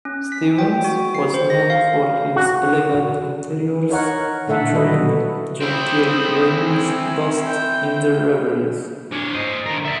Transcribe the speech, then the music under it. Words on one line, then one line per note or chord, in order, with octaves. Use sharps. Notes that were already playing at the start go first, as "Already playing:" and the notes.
Stevens was known for his "elegant interiors featuring genteel ladies lost in their reveries".
C#4
B6
G5
F#4
C7
C5
A#6
F5
F#4
D#4 A#4 C#5 F#5
A#2 D3 A3 A4 E5 F#5
D#3 G3 E4 F#4 B4 D#5
B2 F#3
C4 E4 D#6 G6
G#5
G5
D4 C#5
C5 D#5
D3 A#4
D5 E5